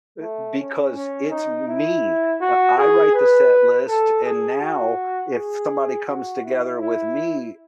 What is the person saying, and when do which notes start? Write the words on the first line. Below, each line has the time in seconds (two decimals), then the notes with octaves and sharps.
e because it's me. I I write the set list, and now if somebody comes together with me,
0.21 A3
0.58 C#4
0.95 C#4
1.30 D#4
1.68 E4
2.41 F#4
2.78 G#4
3.14 B4
3.88 A4
4.24 G#4
4.61 F#4
5.35 G#4
6.08 F#4
6.44 E4
6.81 E4